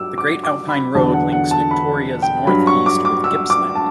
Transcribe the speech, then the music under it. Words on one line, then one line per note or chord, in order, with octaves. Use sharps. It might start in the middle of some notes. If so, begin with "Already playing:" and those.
The Great Alpine Road links Victoria's North East with Gippsland.
Already playing: G2 F#3 D6 E6
D6
D6
B5
E2 D3 F#3 A5
F#5
F#5
A5
B5
G5
G2 F#3 B5
C#6
D6
D6
E6
D6
A5